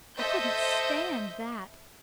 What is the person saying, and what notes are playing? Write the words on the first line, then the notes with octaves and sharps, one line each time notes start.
I couldn't stand that.
A4 C5 D#5 E5 G6